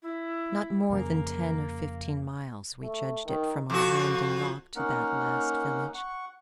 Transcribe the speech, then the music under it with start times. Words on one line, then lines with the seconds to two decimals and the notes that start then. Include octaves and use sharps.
Not more than ten or fifteen miles we judged it from our landing rock to that last village.
0.02 E4
0.90 F2 C#3 A#3
2.83 A3
3.26 D#3
3.70 F2 F#4
4.76 A#3 C#4 D#4 A#4 F#5
5.95 F#5 C#6